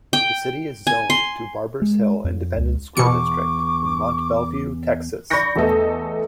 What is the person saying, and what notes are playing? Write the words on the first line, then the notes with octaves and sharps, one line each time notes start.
The city is zoned to Barbers Hill Independent School District in Mont Belvieu, Texas.
G5
G#5
C6
G#3
F2
C#2
E2 B2 C#6 D6 C#7
D5 B5 C#6 G6 A#6 C#7
E2 A3 B3 A4 D#5